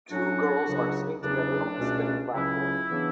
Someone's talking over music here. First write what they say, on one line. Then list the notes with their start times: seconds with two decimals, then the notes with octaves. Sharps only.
Two girls are sitting together on a spinning platform.
0.11 A2 F#3 C#4 D4 F#4
0.67 C#2 C#3 F#3
1.22 E2 C#3 F#3 C#4 D4
1.79 C#2 B2 A3 C#4
2.34 C#2 C#3 F#3 C#4 E4
2.91 C#3 E3 B3 D4